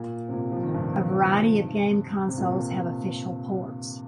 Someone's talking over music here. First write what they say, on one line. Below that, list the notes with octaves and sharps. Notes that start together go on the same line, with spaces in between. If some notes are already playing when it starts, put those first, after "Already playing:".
A variety of game consoles have official ports.
Already playing: A#2
C3
A#2
F3
D#3
G2 C3
C3
A#2